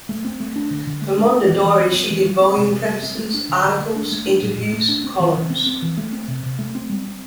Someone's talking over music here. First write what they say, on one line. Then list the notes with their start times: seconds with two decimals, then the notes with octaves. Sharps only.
For Mondadori she did volume prefaces, articles, interviews, columns.
0.09 A3
0.25 C4
0.40 A3
0.56 D4
0.71 D3
0.87 D3
1.02 A3
1.17 D4
1.32 C4
1.48 E3
1.64 E3
1.79 C4
1.94 C4
2.10 E3
2.26 G3
2.41 C4
2.57 C3
2.72 C3
2.87 G3
3.03 C4
3.19 A3
3.34 D4
3.49 D3
3.65 D3
3.80 A3
3.96 D4
4.12 A3
4.27 D4
4.42 A2
4.58 A2
4.73 A3
4.89 D4
5.04 C4
5.20 E3
5.35 E3
5.50 C4
5.66 C4
5.82 E3
5.97 A3
6.12 C4
6.28 C3
6.43 C3
6.59 A3
6.75 C4
6.89 G3
7.05 C4